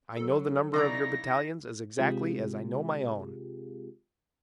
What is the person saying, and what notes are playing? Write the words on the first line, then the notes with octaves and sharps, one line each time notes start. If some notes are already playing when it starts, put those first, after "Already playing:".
I know the number of your battalions as exactly as I know my own.
F#3 A4
C#3 D#4 E4 D5 A#5 A#6
C3 G#3 C4 F4 G4 G#4